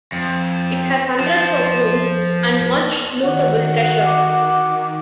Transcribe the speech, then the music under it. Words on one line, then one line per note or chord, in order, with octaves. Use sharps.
It has hundreds of rooms and much lootable treasure.
F2
F3
D#3 F#4
D6